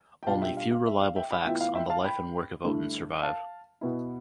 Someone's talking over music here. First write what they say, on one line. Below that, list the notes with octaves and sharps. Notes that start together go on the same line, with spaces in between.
Only few reliable facts on the life and work of Oton survive.
G5
B2 G3 D4 F4 F5 A5
E5 G5
F5
F5
E5
F5
E5 G5
G5 B5
A2 E3 B3 F4 E5 G5
F5
E5 G5
F5 A5
G5 B5
G2 D3 A3 E4
F5 A5
B2 B3 E4